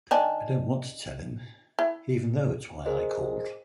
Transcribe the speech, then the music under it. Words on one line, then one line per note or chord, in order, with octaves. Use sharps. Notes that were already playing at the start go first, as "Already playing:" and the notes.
I don't want to tell him, even though it's why I called.
D#3 D4 G#5
E4
G#4 A#4 C5 D#5